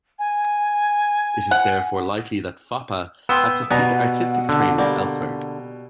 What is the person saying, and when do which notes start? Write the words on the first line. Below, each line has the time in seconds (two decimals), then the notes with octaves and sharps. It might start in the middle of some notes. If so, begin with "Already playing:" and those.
It is therefore likely that Foppa had to seek artistic training elsewhere.
0.19 G#5
1.51 F#5
3.29 B3 G5 C6 E6
3.71 B2 G3 B3 F#5 G#5 A#5
4.49 D3
4.78 G3 A#3